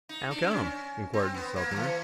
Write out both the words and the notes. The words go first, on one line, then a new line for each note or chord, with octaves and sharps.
"How come?" inquired the Southerner.
D#4
D4
C4
C#4
C4
B3
A#3
F3
E3